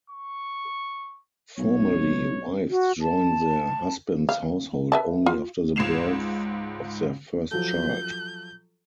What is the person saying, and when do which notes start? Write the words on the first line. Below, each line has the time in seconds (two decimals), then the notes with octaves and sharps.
Formally, wives join their husband's household only after the birth of their first child.
0.10 C#6
1.57 B1 C#5
2.70 F#4
3.02 A5
4.29 F5
4.92 B4 E5 A5
5.26 F4
5.76 C#2 G#2 G#6 C7 E7 F7
7.51 F3 F#3 A4 G6